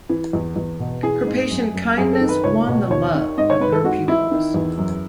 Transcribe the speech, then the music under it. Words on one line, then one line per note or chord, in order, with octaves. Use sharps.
Her patient kindness won the love of her pupils.
E3
E2
E2
B2
E3 G#4
G#2
F#2
F#2
F#2 G#4
A4
D#3
B4
C#2 C#5
B2
D#2 C#5
D#3
G#2 D#5
C#5
G#2 B4
A4
G#2 F#4
E3 E4
D#3
E2
F#2